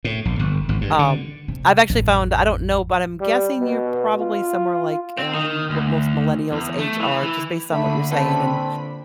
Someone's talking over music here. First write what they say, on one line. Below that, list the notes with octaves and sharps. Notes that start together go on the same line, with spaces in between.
Um, I've actually found I don't know, but I'm guessing you're probably somewhere, like, um, what most millennials age are just based on what you're saying and
A2
A#1
G1
G#1
G2
D3
C3
A1 F2
G3
B2
F4
C4
D#3
D2
E2
A3
E3
E3
A#2 D3 A3 B5
A3 C4 A4 B4